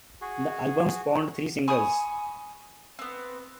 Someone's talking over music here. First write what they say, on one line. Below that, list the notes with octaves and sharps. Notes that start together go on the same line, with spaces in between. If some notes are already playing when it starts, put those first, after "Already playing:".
The album spawned three singles.
F#4 G#4
G#5 B5 C#6 D#6
B3 C4